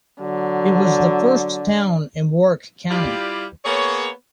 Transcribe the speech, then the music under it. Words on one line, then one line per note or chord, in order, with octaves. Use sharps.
It was the first town in Warrick County.
D3 F#3
G3 E4 F4 G4 D5 F5
A#3 B3 G#4 C#5